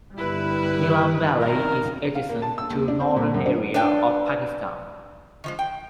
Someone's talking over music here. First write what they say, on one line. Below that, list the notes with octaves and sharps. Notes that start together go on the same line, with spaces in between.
Neelum valley is adjacent to Northern Areas of Pakistan.
G1 G3 E4 B4
D#3 A#4
F5
A#3
A5
E6
D#2
D4
C4
A#2
F#2
D4
D4 B4 D5 G5
D#3 F3 G#3
G5